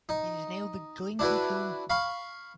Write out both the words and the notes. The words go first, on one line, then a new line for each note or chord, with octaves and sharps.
It is now the Glencliff Home.
D#4
D4 E4 F#4 B4
F5 B5 C#6